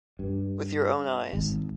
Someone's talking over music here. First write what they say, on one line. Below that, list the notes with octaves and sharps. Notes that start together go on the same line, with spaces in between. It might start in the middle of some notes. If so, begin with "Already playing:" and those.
With your own eyes?
G2
G#1